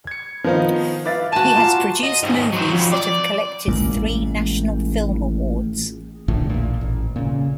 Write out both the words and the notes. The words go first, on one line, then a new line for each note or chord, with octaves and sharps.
He has produced movies that have collected three National Film Awards.
G#6 C#7
D#3 F3 B3 D#4 C5
B4 E5 F5 D6 A6
F#4 G#5 A5
F4 A#5 C6 D6
D#5
D#2 G#2
F#3 C5
F2
D5
A1 G#3 A#3
A#1 E2 A2 D3
A#1 A#2
A1
A#2 C#3